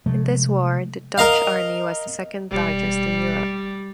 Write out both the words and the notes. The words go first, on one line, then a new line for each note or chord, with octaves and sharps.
In this war the Dutch army was the second largest in Europe.
C3 F3 G#3 A3
A#4 D#5 F5
E1 G3